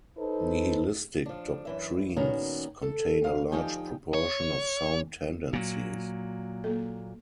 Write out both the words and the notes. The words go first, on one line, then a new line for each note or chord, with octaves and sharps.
Nihilistic doctrines contain a large proportion of sound tendencies.
D#4 A4 B4 C5
F3 D4
F#2 E3 E5
A#2 D#3 B3 C#4 F#4 A#5
A4
D2 C3 F5
D2 F3 D#4 G4 G5 G#5
C#5
A#2 F#3
A#3 A4